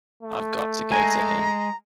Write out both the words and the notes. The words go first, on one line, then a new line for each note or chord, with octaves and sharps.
I've got to go to him.
A3
G#3 G#5 A#5